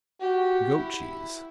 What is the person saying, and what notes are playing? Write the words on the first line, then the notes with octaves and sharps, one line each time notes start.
Goat cheese.
F#4 G4
E4